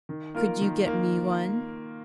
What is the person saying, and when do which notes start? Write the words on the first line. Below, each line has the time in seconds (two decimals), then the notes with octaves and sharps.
"Could you get me one?"
0.09 D#3
0.35 A#3 F4 A#4
0.61 D#3
0.87 A#3